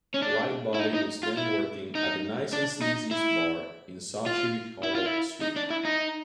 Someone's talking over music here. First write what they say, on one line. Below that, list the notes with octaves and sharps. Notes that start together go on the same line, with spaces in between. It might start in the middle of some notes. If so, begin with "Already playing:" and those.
Lightbody was then working at the Nice n Sleazy's Bar in Sauchiehall Street.
C#4
D4
E4
D#4
D#4
F4
E4
D#4
D4
D#4
E4
F4
E4
F4
E4
D#4
D4
E4
D#4